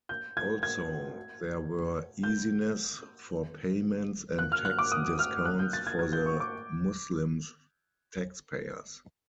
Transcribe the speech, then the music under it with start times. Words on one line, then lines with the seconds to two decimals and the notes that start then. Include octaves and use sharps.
Also, there were easiness for payments and tax discounts for the Muslims taxpayers.
0.09 G6
0.37 G#6
0.63 G#6
2.23 G6
4.39 F#6
4.52 F6
4.65 F#6
4.79 D6
4.92 D#6
5.19 F6
5.45 F#6
5.59 G6
5.73 A6
5.87 G#6
5.99 G#6
6.13 G6
6.26 C#6
6.40 D6